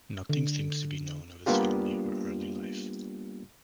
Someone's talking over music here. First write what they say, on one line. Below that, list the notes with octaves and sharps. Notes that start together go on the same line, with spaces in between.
Nothing seems to be known of his family or early life.
D3
G3 A#3 B3 D4 F4 G4